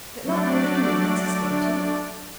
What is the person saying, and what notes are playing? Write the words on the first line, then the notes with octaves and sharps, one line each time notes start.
"That not one of your movements escaped him?"
F#3 A3 D4 D5